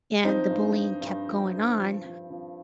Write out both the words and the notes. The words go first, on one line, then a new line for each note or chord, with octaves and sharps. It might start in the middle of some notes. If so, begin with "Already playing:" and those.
and the bullying kept going on,
F3 C4 D#4
G2
G2
G2
F3
G2
F3
F3
F3